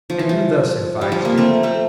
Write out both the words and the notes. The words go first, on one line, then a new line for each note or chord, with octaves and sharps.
"And who thus advised you?"
F3
E3
F3
G3
F3
A#3
A3 C4
A3 C4